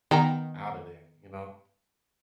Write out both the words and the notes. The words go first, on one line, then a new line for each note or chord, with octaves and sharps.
out of there, you know?
D#3 B3 G5 A#5